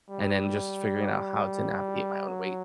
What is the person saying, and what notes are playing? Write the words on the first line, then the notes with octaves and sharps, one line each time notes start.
And then just figuring out how to navigate my own weight
G3
F#3